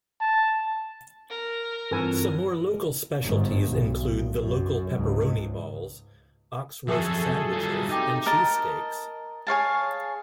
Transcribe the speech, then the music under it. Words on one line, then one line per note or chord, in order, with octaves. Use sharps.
Some more local specialties include the local pepperoni balls, ox roast sandwiches, and cheesesteaks.
A5
A#4
G2 E3 C4 F4 A4 B4 G#5
G1 G#2
B1
F#2
C#2 G#2
F2 F#3 F#4 G#4 A4 E5
G3 F4
C4 D#4 G4 A4
A#4 D#5 A5
G#4 C#5 F5 A5